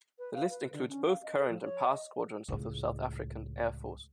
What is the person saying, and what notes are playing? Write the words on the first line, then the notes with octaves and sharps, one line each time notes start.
The list includes both current and past squadrons of the South African Air Force.
B4
F5
B4
D3
C#4
F5
D#5
A4
F3
C#5
D#5
C#2 A2